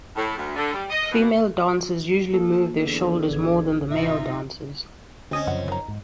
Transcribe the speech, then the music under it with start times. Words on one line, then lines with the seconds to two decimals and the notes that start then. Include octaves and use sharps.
Female dancers usually move their shoulders more than the male dancers.
0.16 A2
0.37 D2
0.56 D3
0.73 G3
0.90 D#5
1.11 B2
2.34 A#3 A4
2.78 E2 D3
3.30 A1 G#6
3.91 G#1 C3 D#4 F4 E5
5.31 D2 C4 C#4 D#5
5.47 F#2 C#3 F3 F#5
5.68 D#3 A#5
5.88 G#2